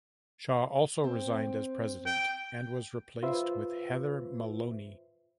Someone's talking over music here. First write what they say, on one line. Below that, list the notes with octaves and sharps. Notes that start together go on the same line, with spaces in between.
Shaw also resigned as president and was replaced with Heather Maloney.
C4
G5
F4 B4 C5 E5